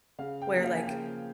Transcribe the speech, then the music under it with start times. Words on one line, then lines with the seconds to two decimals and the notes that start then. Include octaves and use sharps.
where, like,
0.19 C#3 F5
0.41 G5
0.53 F3 A#3
0.64 F5
0.76 G#5
0.87 C#3 G5